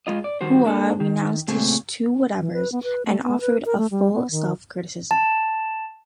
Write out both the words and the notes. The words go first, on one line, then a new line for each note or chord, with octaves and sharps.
Hua renounced his "Two Whatevers" and offered a full self-criticism.
G#3 F4 D#5
D5
D#3 G3 F#4 C5
A#3 D4 G#4 A4
D#3
A#2 C#3 A3 C4 G#4
E3
B4
B3
B4
A3
B3
B4
A#4
A3
G3
B3
D#3
A5